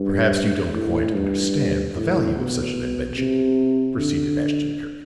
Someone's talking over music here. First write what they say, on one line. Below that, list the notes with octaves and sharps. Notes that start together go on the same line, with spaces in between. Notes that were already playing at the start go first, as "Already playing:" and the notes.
"Perhaps you don't quite understand the value of such an invention," proceeded Ashton-Kirk.
Already playing: G2
A2
G2
A2
B2
C3
D3